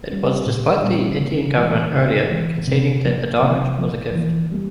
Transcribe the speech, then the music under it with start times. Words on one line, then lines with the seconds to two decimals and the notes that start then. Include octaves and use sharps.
It was despite the Indian Government earlier conceding that the diamond was a gift.
0.10 G3 A#3 C#4
0.46 A#2
0.84 G3 A#3 C#4
1.20 C#3
1.57 E3 G#3
1.94 C#3
2.31 E3 G#3
2.67 C3
3.05 F3 A#3
3.42 C3
3.78 F3 A#3
4.15 E3
4.52 G3 A#3